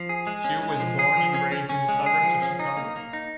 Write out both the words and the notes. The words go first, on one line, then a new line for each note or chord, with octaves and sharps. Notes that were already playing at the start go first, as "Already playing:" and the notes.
Tu was born and raised in the suburbs of Chicago.
Already playing: F3
G#4
G#3
C#4
G#3
F3
G#4
F3
C#4
C#4
C#4
G#3
G#4
F3
C#4
D#4
A#3
A#3
D#4